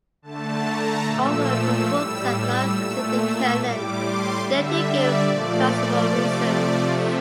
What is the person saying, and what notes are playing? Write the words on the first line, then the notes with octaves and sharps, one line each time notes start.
Although the books are not considered canon, they do give plausible reasons.
D3 A3 A5
A#5
A#2 F3 A3 E6
A2 G3
E6
A#2 A3
A2 G3 D6
C6
D3 G3 E5
D5
A#2 F3 A3 D5
D5
C3 F3 A3
C3 F3 A3 E5